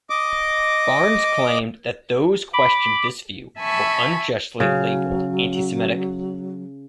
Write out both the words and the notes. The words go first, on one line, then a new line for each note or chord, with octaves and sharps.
Barnes claimed that those questioned this view were unjustly labeled anti-Semitic.
D#5 D6
B5 D6
E5 G#5 A5 B5 C#6
C#3 F#3